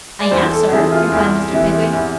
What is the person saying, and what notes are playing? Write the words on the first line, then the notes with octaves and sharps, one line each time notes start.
'I am, sir,' replied Mr. Pickwick.
D5
E2 C5
A4
C3 E3 G#4
F4
E2
C3 E3
E2